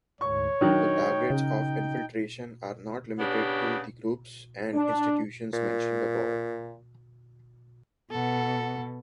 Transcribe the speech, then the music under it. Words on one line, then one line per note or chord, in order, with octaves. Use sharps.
The targets of infiltration are not limited to the groups and institutions mentioned above.
D2 G#2 C#5 C#6
D#3 F#3 D4 D#4 G5
C#3
C#3 B3 C#4 D4 G4
D4
A#2
B2 A4 F#5